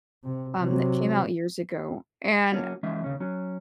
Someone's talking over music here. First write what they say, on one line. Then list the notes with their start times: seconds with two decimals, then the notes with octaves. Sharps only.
um, that came out years ago, and,
0.24 C3
0.58 C3 F#3
2.52 F#3 A#3 C#4 F#4
2.83 E3 G#3 C#4 E5
3.04 D#2 C#3 C#4
3.20 F#3 C#4